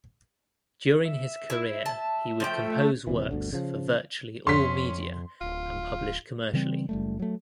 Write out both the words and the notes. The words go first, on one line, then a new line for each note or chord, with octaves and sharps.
During his career he would compose works for virtually all media and publish commercially.
E5
E4
A5
F3 A3 C#5 G5
D#1 C3 E3
G1 D2 D3
C#3 F3
F2 C#4 C6 B6
D1 F4
C#3 E3 G3 C4
F#1 G3 A3
F#3 A3